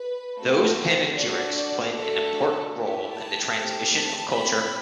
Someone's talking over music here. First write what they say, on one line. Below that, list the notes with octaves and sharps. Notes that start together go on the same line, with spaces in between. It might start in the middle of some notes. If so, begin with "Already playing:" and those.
Those panegyrics played an important role in the transmission of culture.
Already playing: B4
A3 C4 F#4 A4 B4
C5
D4 F#4 A4 D5
A3 D4 F#4 A4
A3 E4 G4
A5
A3 C4 G4
A5
C4 G4 B5